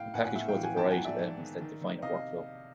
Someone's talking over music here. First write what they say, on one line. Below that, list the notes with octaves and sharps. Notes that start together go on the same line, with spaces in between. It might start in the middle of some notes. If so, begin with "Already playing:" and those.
A package holds a variety of elements that define a workflow.
Already playing: A2 F5 G5
A2 F#5 G#5
F#5 G#5
A2 E5 F#5
F5 G5
E3
F#5 G#5
G#2 G5 A5
F#5 G#5
G#2
D5 E5
G#2
D#3
D#3
D#3
C3 D#5 F5